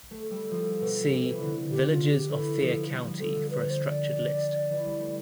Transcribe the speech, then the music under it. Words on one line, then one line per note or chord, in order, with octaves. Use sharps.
See Villages of Fier County for a structured list.
A3
A4
G3
F3
B2
C3
E3
D3
G4
F4
G4
E3 A4
F3
G3
F3
F3 A4
D3
B4
C5
D5
E3
G3
A3